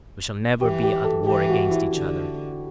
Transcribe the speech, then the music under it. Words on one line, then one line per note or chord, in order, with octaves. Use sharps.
We shall never be at war against each other.
E3 G4
G4
A4
E3 G4
F#4
E4
D3